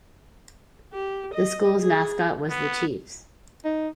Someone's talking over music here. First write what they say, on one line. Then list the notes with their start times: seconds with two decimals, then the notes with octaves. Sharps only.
The school's mascot was the Chiefs.
0.93 G4
1.34 D#5
1.81 G#4
2.50 B3
3.65 D#4